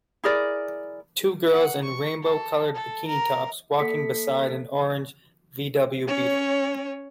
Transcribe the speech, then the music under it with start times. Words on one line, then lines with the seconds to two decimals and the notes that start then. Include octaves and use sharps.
Two girls in rainbow colored bikini tops walking beside an orange VW Beetle.
0.24 E4 G#4 A#4 D5
1.52 F#5
1.82 C#6
2.23 A4
2.74 A4
3.07 A#4
3.79 A#3 A4 B6 C#7
6.07 C#4 C#5